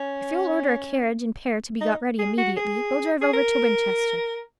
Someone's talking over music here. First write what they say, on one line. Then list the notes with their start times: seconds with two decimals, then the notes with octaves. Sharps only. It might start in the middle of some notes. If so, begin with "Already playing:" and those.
If you'll order a carriage and pair to be got ready immediately, we'll drive over to Winchester.
Already playing: C#4
1.81 D#4
2.19 G#4
2.38 F#4
2.57 G#4
3.22 G#4
3.33 A#4